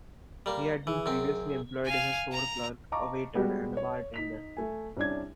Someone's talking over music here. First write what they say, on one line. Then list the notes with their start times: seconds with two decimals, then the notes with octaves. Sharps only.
He had been previously employed as a store clerk, a waiter, and a bartender.
0.46 G3 A#3
0.87 E3 G#4
1.06 F#2 C4
1.86 F5 G#5
2.32 A#5
2.92 D#5 F5 A5 A#5 C#6 D6
3.35 G3 G#3 B3 F#4 G4
3.77 C#5
4.14 D#4 B6 F7
4.57 A3 G#5
4.97 C2 C#4 D4 G#6